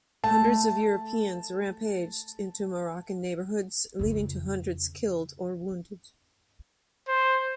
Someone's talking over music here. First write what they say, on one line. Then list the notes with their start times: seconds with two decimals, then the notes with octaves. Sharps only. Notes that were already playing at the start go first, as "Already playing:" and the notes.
Hundreds of Europeans rampaged into Moroccan neighborhoods leading to hundreds killed or wounded.
0.24 A3 A5
3.99 F2 C#3
7.08 C5